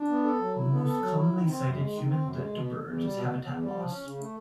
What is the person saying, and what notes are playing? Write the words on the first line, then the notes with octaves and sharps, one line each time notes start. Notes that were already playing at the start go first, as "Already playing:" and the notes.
The most commonly cited human threat to birds is habitat loss.
Already playing: D4
B3
A4
F#3
E4
B3
A4
F#3
E4
D#3
C4
F#2
G#3
D#3
C4
F#2
G#3
B2
E2
E2
G3
B2
E2
E2
G3
F3
C#4
C#3
A3